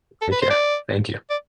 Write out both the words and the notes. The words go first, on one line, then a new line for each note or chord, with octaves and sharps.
Take care, thank you.
A4
B4
C5
D5
D5